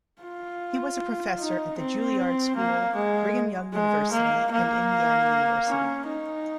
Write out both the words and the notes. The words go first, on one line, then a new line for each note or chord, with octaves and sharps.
He was a professor at the Juilliard School, Brigham Young University, and Indiana University.
F4
D#4
C4
A#3
G#3
G#3
A#3
A#3
C#4
D#4